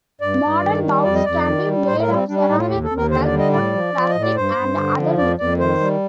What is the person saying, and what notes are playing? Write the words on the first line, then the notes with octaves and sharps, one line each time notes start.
Modern bowls can be made of ceramic, metal, wood, plastic, and other materials.
G2 D5
G2
D#3
G3
F2 D5
D#5
F2 D5
D#3
G3
A2 C5
A#4
G3
C4
G3 D4
D4
A2 D#4
F4
D#2 G4
A4
D#2
A#4
D3 C5
D5
G3
D#5
A2 D5
F3
F3
D#5
A2
D5
G2 C5
G2
D3
F3
F2 D5
F2 D5
D#3 C5
G3